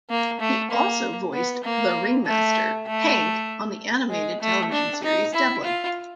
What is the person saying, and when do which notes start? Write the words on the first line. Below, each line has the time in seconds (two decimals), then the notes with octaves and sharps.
He also voiced the ringmaster, Hank, on the animated television series "Devlin".
0.09 A#3
0.40 A3
0.71 A#3
1.33 B3
1.64 A#3
2.25 A3
2.87 A3
4.10 G#3
4.41 A3
4.72 D4
5.03 D#4
5.34 E4
5.64 F4